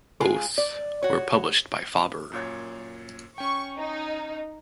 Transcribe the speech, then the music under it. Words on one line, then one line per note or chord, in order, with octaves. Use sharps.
Both were published by Faber.
G#3 F4 G#4
D5
F#4 C#5
F#2 A#2 C#5
C#4 G5 C#6
D#4